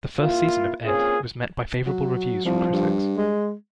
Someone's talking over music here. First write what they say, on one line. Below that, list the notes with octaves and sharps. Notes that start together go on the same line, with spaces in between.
The first season of "Ed" was met by favorable reviews from critics.
A#3 E4 F4
A#3 C4 C#4 F4 G#4
F#3
C2 F3
G2
G#3